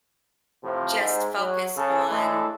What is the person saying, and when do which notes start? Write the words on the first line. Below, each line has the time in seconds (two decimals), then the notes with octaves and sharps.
just focus on
0.64 F2 A2 C3 F3
1.00 G#2
1.38 F#3
1.77 C#3 A4
2.11 A2 G#3 A3 D4 E4 A4